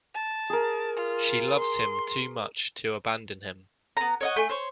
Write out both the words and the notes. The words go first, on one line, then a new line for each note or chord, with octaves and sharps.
She loves him too much to abandon him.
A5
G#4 A#4
F4
C6
B3 A#5
C#5 D#5 F#5
A3 G#5
C5 C#5